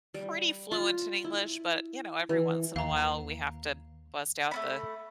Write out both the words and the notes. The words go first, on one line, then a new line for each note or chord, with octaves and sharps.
pretty fluent in English, but, you know, every once in a while, we have to bust out the
G3
F4
E4
E3
D#2 F5 A#5
A3 C#4 B5